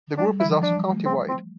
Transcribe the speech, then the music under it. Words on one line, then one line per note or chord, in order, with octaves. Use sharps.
The group is also countywide.
G3 D4
G3
E3 E4
F3
F3 D4
G3
A3
C4
C4